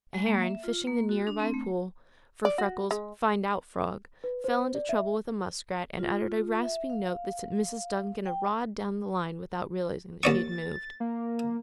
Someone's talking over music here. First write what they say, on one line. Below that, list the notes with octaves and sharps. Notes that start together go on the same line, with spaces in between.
A heron, fishing the near-by pool for Freckles' "find-out" frog, fell into trouble with a muskrat and uttered a rasping note that sent Mrs. Duncan a rod down the line without realizing that she had moved.
G#3
A#3
E5
F4
A#3
F#4
D4
C4
A3
D5
F#4
G#3
B4
C5
D5
E5
F4
E5
F5
G5
D#2 D5 C#6 A6
A#3